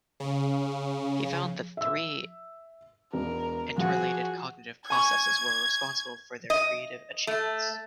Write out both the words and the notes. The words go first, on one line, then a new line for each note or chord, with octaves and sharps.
He found that three interrelated cognitive processes were responsible for their creative achievements.
C#3
E5 E6
E1 A#4
F3 F#4 G#4
G#5 C#6 G#6
D#5
A3